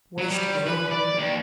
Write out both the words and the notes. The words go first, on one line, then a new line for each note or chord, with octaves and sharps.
West groaned.
F#3
G3
B4
D5
D#2